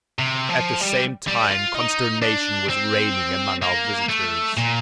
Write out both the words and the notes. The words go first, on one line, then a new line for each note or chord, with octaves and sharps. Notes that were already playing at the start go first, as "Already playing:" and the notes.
At the same time consternation was reigning among our visitors.
C3
F3
G3
G3
F4
D#4
D4
C4
A#3
A3
A#2